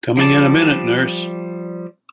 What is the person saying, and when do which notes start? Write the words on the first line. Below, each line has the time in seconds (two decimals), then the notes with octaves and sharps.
Coming in a minute, nurse!
0.17 F3 G3 D5 A5